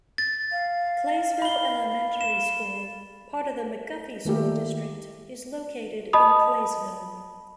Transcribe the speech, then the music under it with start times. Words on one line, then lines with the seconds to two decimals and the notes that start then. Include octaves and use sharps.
Claysville Elementary School, part of the McGuffey School District is located in Claysville.
0.18 A6
0.52 F5
1.42 B5 G7
2.21 E7
4.25 D#3 A3 A#3 G4
6.13 D#5 A5 B5 D#6